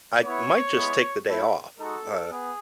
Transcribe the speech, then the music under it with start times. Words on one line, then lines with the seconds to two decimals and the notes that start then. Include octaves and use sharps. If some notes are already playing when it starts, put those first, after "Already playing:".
I might just take the day off, uh
0.23 B3 E4 C#5
0.75 G#3 B3 E4
1.27 A3 E4
1.78 G#3 D#4 F#4 A4
2.31 B3 G#4